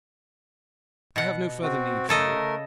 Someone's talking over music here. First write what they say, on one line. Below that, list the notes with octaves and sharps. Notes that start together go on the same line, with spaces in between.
I have no further need for you.
B2 F#5
C4 F#4
C#3 A3 A4 A#4 D#5